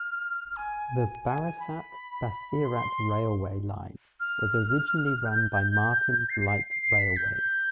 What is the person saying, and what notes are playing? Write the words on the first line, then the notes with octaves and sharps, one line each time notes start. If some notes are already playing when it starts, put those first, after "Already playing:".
The Barasat - Basirhat Railway line was originally run by Martin's Light Railways.
Already playing: F6
G#5
G#5
G#5
G#5
B5
C6
F6
G6
C7
C7
B6
G6
G6